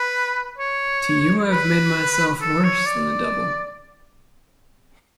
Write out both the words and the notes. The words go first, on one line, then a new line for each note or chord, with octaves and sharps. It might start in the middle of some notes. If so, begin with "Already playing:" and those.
To you I’ve made myself worse than the devil.
Already playing: B4
C#5
B4
A4
C#5
D5